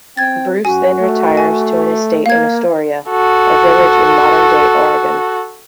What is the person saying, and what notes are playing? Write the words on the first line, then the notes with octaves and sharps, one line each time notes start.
Bruce then retires to an estate in Astoria, a village in modern-day Oregon.
C4 G5 G#6 A6
F#2 F#4 G#5
A3
G#5
A#3 F5 G#6
F#4 A4